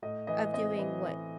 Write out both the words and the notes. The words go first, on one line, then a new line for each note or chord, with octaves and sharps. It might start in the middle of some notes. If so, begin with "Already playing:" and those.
of doing what
A2 D#5
E3 D#5
C4 D#5
E3
E3